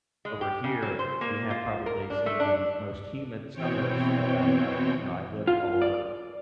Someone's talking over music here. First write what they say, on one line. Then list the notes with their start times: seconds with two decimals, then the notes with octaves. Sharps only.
over here we have probably some of the most humid summers that I've I've you know, I've lived all over
0.25 G#3
0.41 G4
0.64 C#3
0.82 F#3
0.99 C5
1.21 A#3
1.50 F4
1.86 A#4
2.10 D4
2.26 A3
2.40 D4
3.52 B2 E3 C4 C#5 G5
5.47 F4
5.82 D5